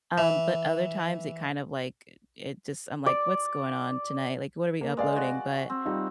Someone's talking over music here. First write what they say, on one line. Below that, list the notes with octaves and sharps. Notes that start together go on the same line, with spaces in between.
um, but other times it kind of like it just I'm like, "What's going on tonight?" Like, "What are we uploading?" But,
E3
D5
A#3
G#3 B4 D5 F5
F#4
C4
G3 D#4 F4